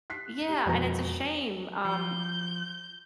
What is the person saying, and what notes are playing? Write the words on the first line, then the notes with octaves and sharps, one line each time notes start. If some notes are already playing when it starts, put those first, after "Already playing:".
yeah, and it's a shame, um,
F#6 B6 C7
G4 C7
E1 F2 F#4 B4 A#5 A#6
F3 G6